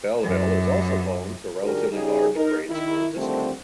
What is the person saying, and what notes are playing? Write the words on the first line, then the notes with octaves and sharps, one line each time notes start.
Belleville is also home to a relatively large grade school district.
F#2
D#3 G3 D4 F#4 G#4 A#4
C#3 G3 D#4 G#4
D#4 A#4
D#3 E4
D3 D#3 F3 G3 A3 C4